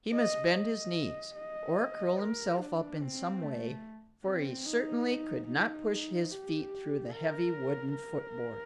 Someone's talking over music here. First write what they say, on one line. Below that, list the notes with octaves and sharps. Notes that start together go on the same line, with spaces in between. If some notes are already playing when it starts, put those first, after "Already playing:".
He must bend his knees, or curl himself up in some way, for he certainly could not push his feet through the heavy wooden foot-board.
D#5
D#5
D#5
A#4
D4
C4
A3
C4
D#4
D#4
G4
A#4
A#4